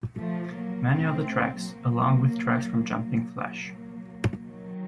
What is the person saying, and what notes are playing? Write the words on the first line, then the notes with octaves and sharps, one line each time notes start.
Many of the tracks, along with tracks from Jumping Flash!
F3 A3
F#3 A#3
A3 C4
F#3 A#3
F#3 A#3
F#3 A#3
D#3 F#3